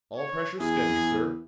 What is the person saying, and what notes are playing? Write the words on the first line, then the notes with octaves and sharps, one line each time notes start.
"All pressures steady, sir."
C#5
E2 G#4